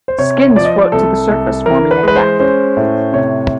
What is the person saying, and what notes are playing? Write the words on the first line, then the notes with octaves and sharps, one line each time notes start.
Skins float to the surface, forming a cap.
C5
C3 C#5
F3 D5
D#5
D5
C2 A4
C2
E3 A#4
B4
G#3 B4
C5
C#4 C5
A2
C3 C#5